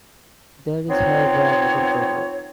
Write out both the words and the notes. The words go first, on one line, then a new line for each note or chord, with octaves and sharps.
There is, however, another problem.
B3 C4 D#4 F4 C#5